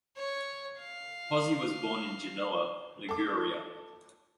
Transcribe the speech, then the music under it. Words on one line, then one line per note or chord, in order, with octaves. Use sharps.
Pozzi was born in Genoa, Liguria.
C#5
F5
A4 D6